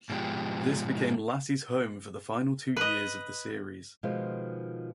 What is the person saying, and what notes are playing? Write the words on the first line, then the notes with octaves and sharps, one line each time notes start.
This became Lassie's home for the final two years of the series.
G#2 B2 F3 G#3 G4
B4 D#5
B2 D#3 F3 G#3 F4